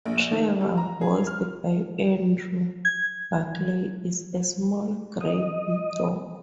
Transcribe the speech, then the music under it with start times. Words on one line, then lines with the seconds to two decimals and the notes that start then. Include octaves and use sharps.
Trevor, voiced by Andrew Barclay, is a small, grey bulldog.
0.06 A#1
0.32 D#3
0.61 G3
0.77 A#5
1.01 G#4
1.27 F6
2.85 G#6
5.21 D#5